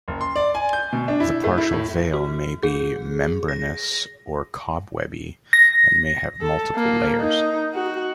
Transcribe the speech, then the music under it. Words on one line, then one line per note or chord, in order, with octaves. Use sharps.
The partial veil may be membranous or cobwebby, and may have multiple layers.
F#1
C6
D5
G#5
G6
B2
D4
E4
A3
E4
A2
F#4
G#4
A#6
A#6
A4
A#3
D#4
F#4